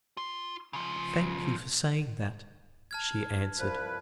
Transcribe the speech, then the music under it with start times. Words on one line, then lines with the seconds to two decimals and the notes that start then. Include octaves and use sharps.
"Thank you for saying that," she answered.
0.17 F4 C6
0.73 C#3 F3
2.91 A5 F6 G#6
3.59 C2 F3 B4